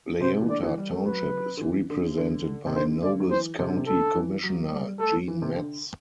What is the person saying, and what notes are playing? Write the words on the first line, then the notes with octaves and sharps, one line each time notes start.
Leota Township is represented by Nobles County Commissioner Gene Metz.
C3 C5
E3
D3 D5
E3
G3
A3
F#3 B4
D3
E3
D3
D3
C3
D3 C5
D3 D5
F#3
E3 C5
C3
D3
C3
D3 A4
E3
F#3
G3
A3 A4
E3
C3
D3